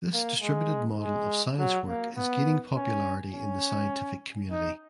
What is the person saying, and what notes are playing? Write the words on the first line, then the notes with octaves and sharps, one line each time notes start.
This distributed model of science work is gaining popularity in the scientific community.
A#3
G#3
G#3
F#3
A#3
B3
C#4
C#4
D#4